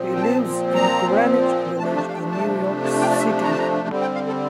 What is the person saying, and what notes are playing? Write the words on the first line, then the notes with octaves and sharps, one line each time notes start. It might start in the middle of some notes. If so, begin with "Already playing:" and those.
He lives in Greenwich Village in New York City.
Already playing: A#2 F3 C4
G5
A5
A#5
C3 F3 A3 D4 A5
A5
F5
G5
A5
A5
G5
D5
E5
A#5
A5
A#5
D3 G3 C4
G5
F5
A4